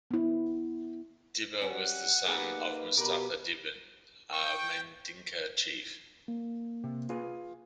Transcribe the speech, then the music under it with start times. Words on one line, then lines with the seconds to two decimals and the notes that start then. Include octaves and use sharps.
Dibba was the son of Mustapha Dibba, a Mandinka chief.
0.11 B3 E4
1.62 G3 C#4 F#5
2.25 A#3 B3 D#4 G4 G#4 B4 D5 A#5
2.97 B2 G4 A#4 B4
4.33 G5 C#6
6.28 A#3
6.84 C3
7.09 F4 G#4 B4